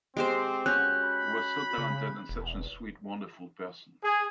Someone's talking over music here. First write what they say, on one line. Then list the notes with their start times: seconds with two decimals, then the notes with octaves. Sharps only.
He was so talented and such a sweet wonderful person.
0.17 G#3 C4 G4 C5
0.66 C#4 F#4 F#6 G6
1.04 B5
1.78 C#3
2.29 E1
4.04 G#4